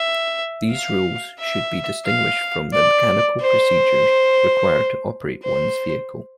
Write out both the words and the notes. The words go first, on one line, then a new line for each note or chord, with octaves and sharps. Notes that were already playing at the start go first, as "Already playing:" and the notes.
These rules should be distinguished from the mechanical procedures required to operate one's vehicle.
Already playing: E5
F5
E5
F5
D5
C5
C5